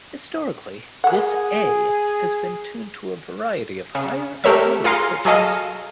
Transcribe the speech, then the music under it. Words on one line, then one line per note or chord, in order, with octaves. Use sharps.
Historically, this A has been tuned to a variety of higher and lower pitches.
A#3 G#4 F#5
C#3
A3 G4 A#4 C#5 E5
F4 G#4 F5 A#5 C6
F#3 G#4 A4 D#5 F5